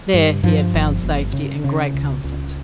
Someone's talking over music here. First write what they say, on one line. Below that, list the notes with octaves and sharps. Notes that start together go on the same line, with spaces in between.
There he had found safety and great comfort.
G2
G2 F3
G1
G1
C#3
C#3
C#2
C#2